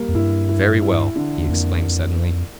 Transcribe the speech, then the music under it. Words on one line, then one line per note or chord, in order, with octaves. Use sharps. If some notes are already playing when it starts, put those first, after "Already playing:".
"Very well!" he exclaimed suddenly.
Already playing: G3 A#3
F2
G2 E4
E4
E4
D3
E2
F2 A#3